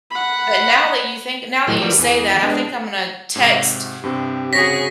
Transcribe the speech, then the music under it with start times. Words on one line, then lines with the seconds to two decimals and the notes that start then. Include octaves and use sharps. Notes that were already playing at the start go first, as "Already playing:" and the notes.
But now that you think now that you say that, I think I'm gonna text
0.11 F#5 B5
1.67 A2 D#3 F#3 D#4 G4 G#4
1.81 E3 F3 G3 F#4 A#4 D5
1.98 E2 E3 G#4
2.42 G#3 B3 D4
3.36 G#2 C3 F#4
4.04 G2 C3 C4 G4
4.53 C#3 F#4 G#4 C#5 A#6 B6